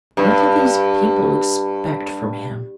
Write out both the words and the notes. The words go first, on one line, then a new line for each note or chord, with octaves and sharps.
What did these people expect from him.
G2